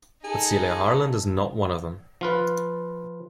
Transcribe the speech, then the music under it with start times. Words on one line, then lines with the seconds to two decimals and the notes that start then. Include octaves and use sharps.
But Celia Harland is not one of them.
0.24 D#4 G#4 A4
2.21 F3 F4 B4